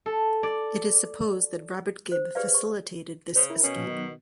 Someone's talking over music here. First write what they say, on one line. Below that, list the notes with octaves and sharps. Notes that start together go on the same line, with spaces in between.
It is supposed that Robert Gibb facilitated this escape.
A4
D5
C5
G4 G#4 B4 D5 F5
G#4 C#6
C#3 C5
E4 A#4
B2 C#4
A#2 F3
D#3 F#3 B3 D#4